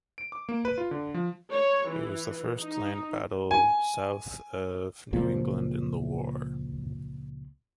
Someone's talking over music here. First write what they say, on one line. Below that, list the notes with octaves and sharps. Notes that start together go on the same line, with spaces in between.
It was the first land battle south of New England in the war.
D7
D6
A#3
B4
F4
D3
F3
C#5
E3
D#4
G#5
C#2 A#2 F3 C4